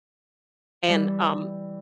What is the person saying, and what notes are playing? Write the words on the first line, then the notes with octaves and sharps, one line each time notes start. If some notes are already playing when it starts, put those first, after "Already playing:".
and, um
E3 G3